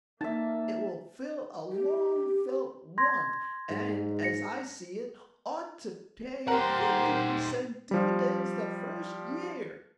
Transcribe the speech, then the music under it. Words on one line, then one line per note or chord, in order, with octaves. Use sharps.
It will fill a long felt want, and, as I see it, ought to pay fifty percent dividends the first year.
A#3 D#4 E5 A5
G4
C6 G#6 A#6
G#2
A#6 C#7
D#4 G4 A#4 C5 F#5
F3 G3